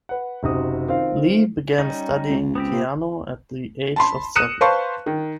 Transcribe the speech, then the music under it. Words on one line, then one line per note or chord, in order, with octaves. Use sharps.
Li began studying piano at the age of seven.
B4 F#5
F#1 C3 D#4 F#4 D#6
D#3 C4 F4 F5
G3 C#4 D#4
C#2
B3 C4 G4
A#2
A5 B5 C6
D#6 F#6 C#7 D#7 E7
B4 C5 F5 A5 C6 C#6
D#3